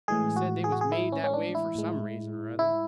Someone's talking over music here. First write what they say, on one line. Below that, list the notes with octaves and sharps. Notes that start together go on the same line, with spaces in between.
He said they was made that way for some reason or other.
A2 E3 G#3 G#4
F#4
G#4
F#4
G#4
E4
C#4
C#4
D4
E4
A2 G#3
E4